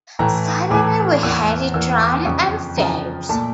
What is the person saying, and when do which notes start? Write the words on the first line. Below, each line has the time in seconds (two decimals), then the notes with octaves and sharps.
"Suddenly we heard a drum and fifes!".
0.19 A2 E3 A3 A#5
0.71 A2 E3 A3 D6
1.23 E2 E3 A#3 E6
1.74 E2 E3 A#3 E6
2.00 D6
2.26 F2 C#3 F3 C#6
2.78 F2 C#3 F3 A#5
3.29 A#2 A3 A5